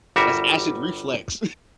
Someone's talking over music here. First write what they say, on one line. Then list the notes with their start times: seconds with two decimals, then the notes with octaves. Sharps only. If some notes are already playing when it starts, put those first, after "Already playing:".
That's acid reflex.
0.16 G1 G3 F#4 A#4 E5